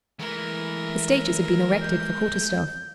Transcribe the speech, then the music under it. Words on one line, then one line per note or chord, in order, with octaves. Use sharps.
The stages had been erected for quarter-staff.
E3 G#3 A3 A#4
G6